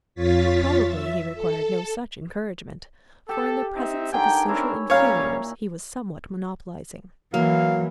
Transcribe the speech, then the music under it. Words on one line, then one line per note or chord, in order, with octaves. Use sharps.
Probably he required no such encouragement, for in the presence of his social inferiors he was somewhat monopolizing.
F2 F4 C#5 A6 B6
E5
A4
G4 A4
C4 D#4 E5
D3 D#3 G5 G#5
C4 D4 E4 A#4 C#5
A#2 G3 C#4 C#5 F5
E3 F#3 A#3 F5